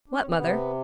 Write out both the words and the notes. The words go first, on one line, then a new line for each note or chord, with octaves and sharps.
"What, mother?"
D4
C#4
C4
C3 B3